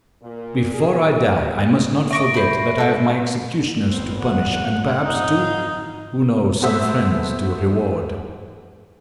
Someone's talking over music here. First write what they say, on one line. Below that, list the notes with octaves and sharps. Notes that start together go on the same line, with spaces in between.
Before I die I must not forget that I have my executioners to punish, and perhaps, too, who knows, some friends to reward.
A#2
G#4
D#5 E5 C#6 D6 A#6 D7
C5 B5
F4 A4
G#1 E2 C4
F#5
F2 G#2 D#4
F5
A3 B3 F#4 G#4 C5 E5